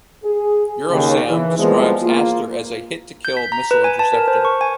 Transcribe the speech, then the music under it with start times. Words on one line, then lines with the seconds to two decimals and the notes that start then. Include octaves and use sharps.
Eurosam describes Aster as a "hit-to-kill Missile Interceptor".
0.24 G#4
0.90 D#2 C#3
1.29 E3
1.59 E3 F3 G3 G#3 A#3 B3
2.02 A#3 F4
3.25 G6
3.37 B6
3.52 A#5
3.71 B4
3.84 G#5
3.99 A5
4.13 A#4
4.28 C5
4.45 C#6
4.61 G#5